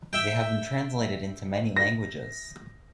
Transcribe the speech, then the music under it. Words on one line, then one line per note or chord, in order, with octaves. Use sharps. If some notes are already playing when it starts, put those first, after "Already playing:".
They have been translated into many languages.
E5 G5
A#6